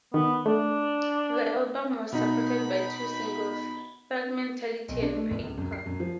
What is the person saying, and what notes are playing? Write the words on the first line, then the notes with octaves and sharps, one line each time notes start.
The album was supported by two singles: "Thug Mentality" and "Paper".
D#3 B3
A3 D4
B2 D#4 B5
B1
D4
A3
G1
C#2
F#2
C7
F#2
F3